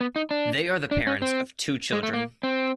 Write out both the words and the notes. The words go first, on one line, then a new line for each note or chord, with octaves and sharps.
They are the parents of two children.
B3
D#4
D4
D4
C#4
C4
G#3
A3
A#3
C4